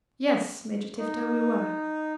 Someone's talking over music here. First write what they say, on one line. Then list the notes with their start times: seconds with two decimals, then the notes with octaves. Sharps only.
"Yes, Major Tifto, we were."
0.98 D#4